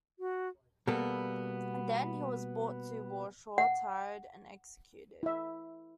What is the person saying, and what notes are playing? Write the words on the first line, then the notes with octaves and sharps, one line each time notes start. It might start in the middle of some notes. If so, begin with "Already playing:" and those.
Than he was brought to Warsaw, tried and executed.
F#4
B2 G3 A#3 B3 A4
F#5
E4 E5